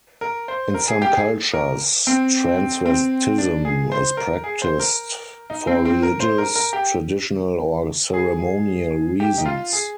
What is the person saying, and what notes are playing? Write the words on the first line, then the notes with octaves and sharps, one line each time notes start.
In some cultures, transvestism is practiced for religious, traditional or ceremonial reasons.
A#4
C5
A#4
G#4
G4
G#4
A#4
C4
C4
D4
G#4
C5
A#4
G#4
C5
A#4
D#4
C4
C4
A#4
C5
A#4
A#4
G4
G#4
G4
D#4
F4
G#4